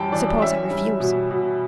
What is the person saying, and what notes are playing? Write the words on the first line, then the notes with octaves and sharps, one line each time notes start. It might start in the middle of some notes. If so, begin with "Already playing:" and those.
"Suppose I refuse?"
Already playing: F#2 E3 G3 G5 A5
E3 D5
C#4 E5
G3
B2
B2